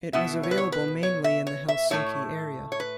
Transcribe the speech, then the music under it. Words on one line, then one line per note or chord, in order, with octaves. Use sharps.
It was available mainly in the Helsinki area.
B2 B3 E4 E5
C#5
B4
C#5
B4
C#5
E5
C#5
E5
A2 E3 A3 E4 C#5
C#5
B4